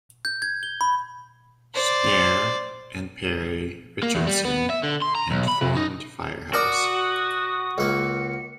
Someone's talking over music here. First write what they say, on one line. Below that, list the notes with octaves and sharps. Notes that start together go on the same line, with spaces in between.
Snare and Perry Richardson, and formed FireHouse.
G6
G#6
G7
B5
C5 D5
A#3
E2
G3
B3
E5
D3
C6
A#5
B1
B5
C3
D#4
F#4 A#4 D5 A#5 D#6
C#2 A#3 C#7